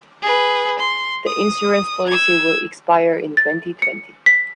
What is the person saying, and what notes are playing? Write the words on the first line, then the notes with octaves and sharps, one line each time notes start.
The insurance policy will expire in twenty-twenty.
G#4 B4
C6
D#6
E6 G#6
A6
C#7
B6